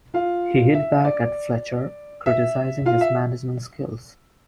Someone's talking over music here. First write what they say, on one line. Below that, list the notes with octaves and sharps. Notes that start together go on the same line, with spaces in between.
He hit back at Fletcher, criticising his management skills.
F4 F5
E5
D5
E5
F4 F5
E5